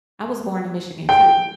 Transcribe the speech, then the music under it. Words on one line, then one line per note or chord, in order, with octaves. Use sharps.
I was born in Michigan too.
G5